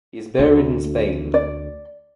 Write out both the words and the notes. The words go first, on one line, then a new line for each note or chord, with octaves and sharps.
He is buried in Spain.
D2
D5